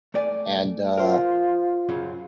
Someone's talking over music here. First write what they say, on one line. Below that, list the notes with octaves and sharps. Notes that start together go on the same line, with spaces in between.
and, uh
A3 D5 G#5
F4 A#4 C5
F#2 C#3 F#3